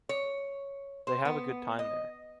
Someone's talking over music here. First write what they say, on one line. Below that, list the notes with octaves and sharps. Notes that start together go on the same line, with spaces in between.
They have a good time there.
C#5
C5
B3
D#5